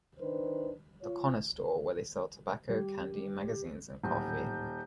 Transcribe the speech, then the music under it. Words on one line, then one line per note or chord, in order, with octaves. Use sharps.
The Connah Store where they sell tobacco, candy, magazines, and coffee.
D#3 D4 B4 C5
F4 C#5
G3 G4
D#1 D2 A2 F#3 G6